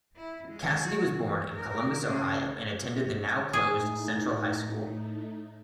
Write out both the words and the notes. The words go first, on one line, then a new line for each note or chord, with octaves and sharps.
Cassady was born in Columbus, Ohio and attended the now closed Central High School.
E4
G#3
F#4
E3
A#4
C#3 A#3
A2 A3 D#4 G#4